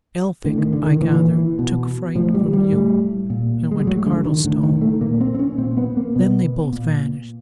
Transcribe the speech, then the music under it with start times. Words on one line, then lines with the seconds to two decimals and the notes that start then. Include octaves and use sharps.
Elphick, I gather, took fright from you, and went to Cardlestone--then they both vanished.
0.44 A2 D3
0.58 D#3
0.73 D3
0.87 D#3
1.01 A#2 E3
1.59 B2
2.15 A2 F3
2.34 G3
2.53 G3
2.72 A2
3.30 A#2
3.71 G#3
3.80 G3
3.87 A2 F#3
4.06 D3
4.26 D#3
4.45 A2 D3
4.63 D#3
4.82 A3
5.01 A#2 A#3
5.21 C4
5.35 C4
5.39 C#4
5.58 A#2 C4
5.77 B3
5.97 A#3
6.15 B2 B3
6.73 A#2